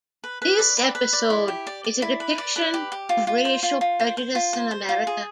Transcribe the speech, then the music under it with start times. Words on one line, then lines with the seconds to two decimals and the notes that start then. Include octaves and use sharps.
This episode is a depiction of racial prejudice in America.
0.24 B4
0.42 B4
0.59 D5
0.77 B4
0.95 B4
1.13 D5
1.30 E4
1.48 G4
1.67 D5
1.84 D5
2.02 E4
2.20 B4
2.38 D5
2.56 B4
2.74 G4
2.92 G4
3.09 F4
3.27 F4
3.45 C5
3.63 F4
3.81 F4
4.00 C5
4.17 C5
4.35 F4
4.53 C5
4.71 C5
4.89 F4
5.07 G#4